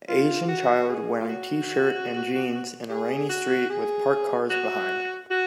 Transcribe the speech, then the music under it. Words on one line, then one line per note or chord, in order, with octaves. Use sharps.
Asian child wearing tshirt and jeans in a rainy street with parked cars behind.
F4
F#4
G#4
F4
F#4
G#4
F#4
G#4
F#4
F#4